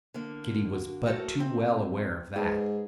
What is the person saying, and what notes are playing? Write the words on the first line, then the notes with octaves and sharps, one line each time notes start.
Kitty was but too well aware of that.
D3 A#3
F#4
A3 F#4 A4 A#4
C3 C4
G#2 G#4 B4